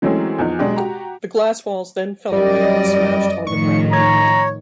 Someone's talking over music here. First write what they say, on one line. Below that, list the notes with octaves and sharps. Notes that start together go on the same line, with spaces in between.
The glass walls then fell away and smashed on the ground.
E3 F#3 G#3 A3 C4 C#4
E2 F3 D#4
B2 F#3 G#3 D4 G4
F#4 G4 A#5
F#2 G3 D5 D#5
A2 D#3 F3 C#6
C#5 A#5